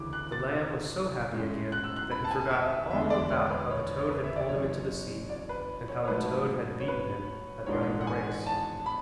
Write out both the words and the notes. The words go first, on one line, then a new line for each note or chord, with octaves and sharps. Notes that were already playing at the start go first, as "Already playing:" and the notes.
The lamb was so happy again that he forgot all about how the toad had pulled him into the sea, and how the toad had beaten him at running the race.
Already playing: D2 C#3 E3 D6
F#6
A6
A2 G#3 C#4
F#6
E6
F#6
B5
A5
G#5
E5
E2 D3 G#3 B3 D4 E5
D5
C#5
B4
C#5
C#5
B4
E5
D5
F#1 F#2 C#3 C#5
D5
B4
C#5
C#5
G#2 F#3 A3 B4
C#5
B4
A1 G#2 E3 G#3 D4 C#5
F#5
G#5
A5
B5